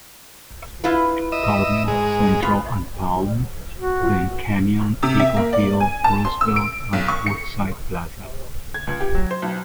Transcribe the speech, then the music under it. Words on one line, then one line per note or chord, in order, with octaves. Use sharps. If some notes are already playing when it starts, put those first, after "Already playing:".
Carmel, Central and Palm then Canyon, Eagle Hill, Roosevelt, and Woodside Plaza.
E4 F4 B4
D#5 E5
G#2 G#3
B3 F4
F#4
C3
E5
A#3
D5
G#5
A5
C6
E6
D7
B1
C#6
C#7
G#6
C#2
G4
F#3
C5
B1